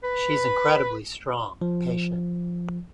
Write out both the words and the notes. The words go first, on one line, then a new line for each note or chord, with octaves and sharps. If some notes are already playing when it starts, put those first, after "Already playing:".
She's incredibly strong, patient.
B4
F3